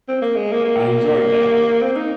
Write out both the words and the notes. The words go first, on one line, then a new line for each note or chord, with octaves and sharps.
I enjoyed that.
C4
A#3
G#3
A#3
A#3
C4
D#4